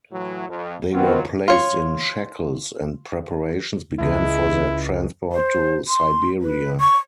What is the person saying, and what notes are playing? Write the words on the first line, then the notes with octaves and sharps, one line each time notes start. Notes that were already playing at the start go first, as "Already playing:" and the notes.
They were placed in shackles, and preparations began for their transport to Siberia.
A2 E3 F#3
F2
D#3 F#3 B3 C4 F4
F4 C#5
C#2 G#3 E4
C5
C6
B4
C#6